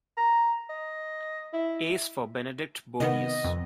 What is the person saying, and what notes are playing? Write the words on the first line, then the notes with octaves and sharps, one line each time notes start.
Ace for Benedict Bogeaus.
A#5
D#5
E4
C3 D#3 B3 D#5
F2